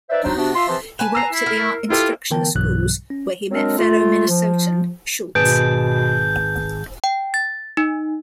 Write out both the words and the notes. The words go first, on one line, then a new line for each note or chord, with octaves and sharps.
He worked at the Art Instruction Schools, where he met fellow Minnesotan Schulz.
D#4 B4 C5 D5 E5
F#3 D4 D#4 C5
C3 B3 D4 F#4
F4 E5 C6
C3 E3 F3 C4 A5 C6
B4 G#5 A5
A#5 E6 C7
E4
A#4
E4 F4 G4 A4
D3 E3 B3 A#4 G5 A5
B1 G2 B2 E3 F#3 F#6
C#4
F#3 G#3 C4 D4 A#4
A3 F4
F3
G#1 B2 G#4 B4 A5 G6 D7
G5
A6
D#4